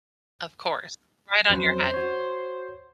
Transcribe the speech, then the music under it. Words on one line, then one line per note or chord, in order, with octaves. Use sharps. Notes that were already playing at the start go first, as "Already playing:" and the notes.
Of course. Right on your head.
F2 F#3 C#4 C5
F#4 C#5